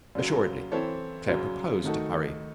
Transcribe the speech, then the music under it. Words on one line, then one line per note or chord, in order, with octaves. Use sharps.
Assuredly Claire proposed to hurry.
F#2 C#3 F#3
E3 C4 E4 A4 C#5
F#2 C#3 F#3
D#3 A3 D#4 F#4 A4